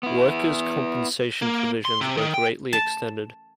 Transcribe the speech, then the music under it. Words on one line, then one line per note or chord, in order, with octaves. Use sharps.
Workers' compensation provisions were greatly extended.
B3 E4
A#3
C6
C3
D#3
G5
A5